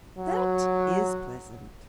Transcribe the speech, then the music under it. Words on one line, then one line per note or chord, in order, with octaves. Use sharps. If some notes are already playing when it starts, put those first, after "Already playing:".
That is pleasant!
F#3